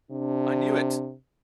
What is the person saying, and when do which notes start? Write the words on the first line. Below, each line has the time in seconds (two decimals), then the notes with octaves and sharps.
I knew it!
0.11 C3 D4